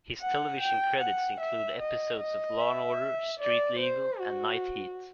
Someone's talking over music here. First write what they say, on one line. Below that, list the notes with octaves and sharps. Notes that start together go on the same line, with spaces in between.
His television credits include episodes of "Law and Order", "Street Legal" and "Night Heat".
F#5
G5
F#5
E5
D#5
D#5
E5
D5
C5
F#4